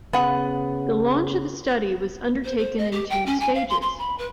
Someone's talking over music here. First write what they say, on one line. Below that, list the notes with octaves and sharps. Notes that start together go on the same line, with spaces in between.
The launch of the study was undertaken in two stages.
C#3 B3 F#5
C5
C5
D#5
G4
G5
C#4
G#5
F5
C6
C6
B5
B4